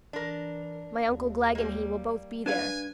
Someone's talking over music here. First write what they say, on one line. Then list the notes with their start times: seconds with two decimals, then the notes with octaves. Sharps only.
My uncle Glegg and he will both be there.
0.13 E3 D4 A#4
1.01 D#2
1.55 G3 A#3
2.46 D4 B4 F5 G#5